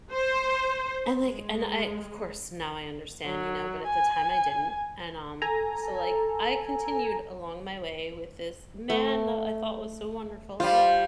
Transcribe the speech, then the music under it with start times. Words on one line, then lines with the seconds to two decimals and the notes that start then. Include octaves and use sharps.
And, like and I, of course, now I understand, you know, but at the time I didn't, and, um, so, like, I continued along my way with this man I thought was so wonderful, right?
0.13 C5
1.22 G#3
3.26 F#3
3.87 G#5
5.42 A4 G#5 A#5
8.90 A3
10.60 G3 F4 C5